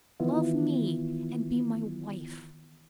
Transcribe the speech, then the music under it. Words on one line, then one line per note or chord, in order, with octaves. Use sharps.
Love me and be my wife.
D#3 E3 B3 E4 F4